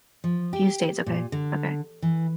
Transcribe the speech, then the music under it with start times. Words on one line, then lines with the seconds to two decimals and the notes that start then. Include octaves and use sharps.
Few states, okay, okay.
0.24 F3
0.53 G4
1.06 A#2
1.32 D3
2.02 E3